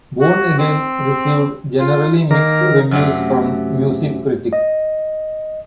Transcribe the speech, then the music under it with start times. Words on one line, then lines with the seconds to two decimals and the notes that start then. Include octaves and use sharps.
"Born Again" received generally mixed reviews from music critics.
0.21 F#4
0.58 C4
1.79 F4
2.31 D#3 A#3 A#4
2.91 F#2 C3 A3
4.53 D#5